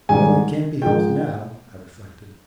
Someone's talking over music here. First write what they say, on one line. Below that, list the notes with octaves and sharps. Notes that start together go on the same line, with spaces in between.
"Well, it can't be helped now," I reflected.
G#2 D#3 G3 G#5
G#2 F3 G#3 G5